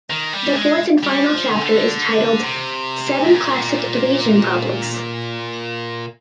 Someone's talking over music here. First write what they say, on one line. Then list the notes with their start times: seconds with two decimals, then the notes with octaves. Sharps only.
The fourth and final chapter is entitled "Seven classic evasion problems".
0.10 D#3
0.33 G3
0.57 G#3
1.03 G3
1.26 F3
1.49 D3
2.42 C3
3.24 G#2
3.34 A#2